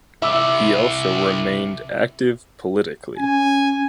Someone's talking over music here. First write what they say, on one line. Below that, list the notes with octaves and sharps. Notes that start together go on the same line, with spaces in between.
He also remained active politically.
C2 E4 E5 D6 E6
C#4 G#5